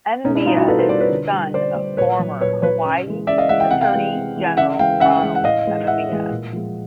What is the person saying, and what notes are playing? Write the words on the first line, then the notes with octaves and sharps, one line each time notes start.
Amemiya is the son of former Hawaii Attorney General Ronald Amemiya.
B2 C#4 D#4
D4 E4
G3 D#4 F4
E4 F#4
B2 A4 B4
A#4 C5
G3 C5 D5
B4 C#5
D3
G3
D3 C5 D5
G3
A#2 B4 C#5
F#3
A#2 B4 C#5
F#3 B4 C#5
C#3
E3 G#3
C#3 D5 E5
D#5 F5
E3 G#3 E5 F#5
G5
C3 F#5
F5 G5
E3 G#3
C3
E3 G#3
C#3 E5 F#5
E3 G#3 F5 G5
C#3 E5 F#5
E3 G#3
F#5
A2 D#5 F5
E3 G#3
A2 E5 F#5
E3 G#3
A#2
F3 G#3